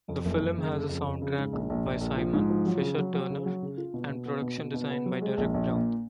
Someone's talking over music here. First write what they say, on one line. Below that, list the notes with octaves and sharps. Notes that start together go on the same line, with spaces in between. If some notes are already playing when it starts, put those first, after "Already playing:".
The film has a soundtrack by Simon Fisher-Turner and production design by Derek Brown.
F2
F#1
F#1
C#3
C#3
F2
F2
C#3
G#2
A#1
A#1
A#1
A#1
F3
G#2
F3
F#3
C#3
F#3
F#3
C#3
F#3
C#3
F4
B2
B2
B3
B2
B2
B2
B3
F#3
G#3
A#1
A#1
A#2